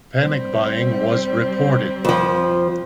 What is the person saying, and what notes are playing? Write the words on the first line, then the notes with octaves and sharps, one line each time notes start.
Panic buying was reported.
G3 C4
F2 F3